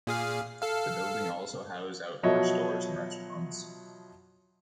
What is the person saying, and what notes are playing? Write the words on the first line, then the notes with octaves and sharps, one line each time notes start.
The building also housed outdoor stores and restaurants.
A#2 G#4 F5
A4 F5
B2 F3 F#3 C#5 D#5 E5